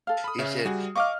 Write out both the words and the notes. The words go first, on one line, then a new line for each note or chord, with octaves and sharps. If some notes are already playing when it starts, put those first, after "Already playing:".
He said,
A4 F5 F6
B5 D#6
C#3 C#4 B4 E5
G3 F#4 G#4
D#5 F5 C#6 D6 F6